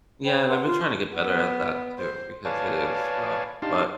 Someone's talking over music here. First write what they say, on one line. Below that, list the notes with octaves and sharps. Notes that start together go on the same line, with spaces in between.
Yeah, and I've been tryna get better at that too because it is rough, but
C5 C#5 G5 B5
B4 E5 F#5 C6
F4 C6
C#6
B3
C5
B4 C#5 D5 F5 G#5 A5
D4 D#4 G4 F5 A5 C6